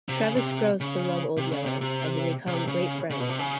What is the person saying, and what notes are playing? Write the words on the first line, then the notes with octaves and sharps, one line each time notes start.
Travis grows to love Old Yeller, and they become great friends.
C3
C#3
C3
C#3
C3
C#3
C3
C3
C#3
C3
C#3
C#3
B2
C3
C#3